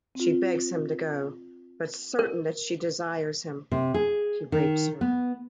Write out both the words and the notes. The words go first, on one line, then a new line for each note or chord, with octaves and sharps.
She begs him to go, but certain that she desires him, he rapes her.
C4 F4
A#4
C3
G#4
D#3
B3